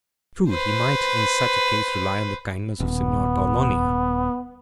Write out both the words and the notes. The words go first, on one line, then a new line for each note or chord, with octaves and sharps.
True, he might in such a case rely on the kindness of Signor Torlonia.
B4 C5
D#1 B3